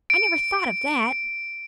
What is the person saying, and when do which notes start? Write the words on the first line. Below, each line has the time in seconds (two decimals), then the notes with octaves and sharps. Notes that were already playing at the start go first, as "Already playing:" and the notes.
I never thought of that.
0.10 D7